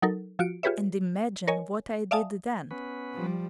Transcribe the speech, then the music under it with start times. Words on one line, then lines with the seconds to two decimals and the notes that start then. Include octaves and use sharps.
And imagine what I did then!
0.02 F#3 D#4 A4 A#4
0.39 F3 F4 F#4 C#7 D7
0.63 F4 G4 G#4 B4 C#5 E5
1.48 A#4 C#5 D#5 G#5
2.11 D5 E5 F5 G#5 A5 D#6
2.71 B3 C#4 B4
3.13 F3 G3